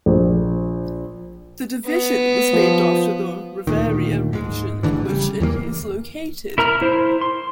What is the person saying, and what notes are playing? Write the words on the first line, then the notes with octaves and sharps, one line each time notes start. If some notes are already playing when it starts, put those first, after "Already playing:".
The division was named after the Riverina region in which it is located.
A#1
B3
F3
D2 A#2 D#3
G#2 G#3
A1 D3 E3
C#3 G3
E2 E3 G3 A#3
E4 A#4 A#5 F6
E4 C5
C6